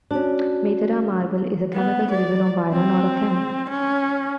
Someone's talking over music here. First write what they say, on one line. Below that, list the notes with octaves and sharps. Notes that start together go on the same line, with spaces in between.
Maytera Marble is a chemical citizen of Viron, or a chem.
C#4 D4 F#4 D5
B3
D5
C4
C#4